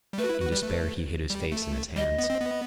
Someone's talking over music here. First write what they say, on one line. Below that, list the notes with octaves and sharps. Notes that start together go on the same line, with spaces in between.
In despair he hid his face in his hands.
G3
A3 B4
F#4
E4
F#4
G3
A3
G3
A3
G3 D#5
B3
C4
B3